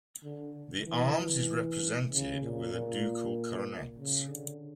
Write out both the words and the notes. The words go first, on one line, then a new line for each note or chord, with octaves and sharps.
The arms is represented with a dukal coronet.
D3
E3
C#3
A#2
A#2
C#3
D3